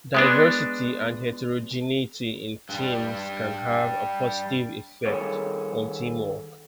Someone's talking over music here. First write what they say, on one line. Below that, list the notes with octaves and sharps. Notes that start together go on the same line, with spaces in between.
Diversity and heterogeneity in teams can have a positive effect on teamwork.
G#3 B3 D4
G2 G3
D#3 G3 G#4 A4 C#5